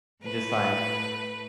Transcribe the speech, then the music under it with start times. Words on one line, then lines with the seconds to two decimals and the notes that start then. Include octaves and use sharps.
and just, like,
0.24 A2 B4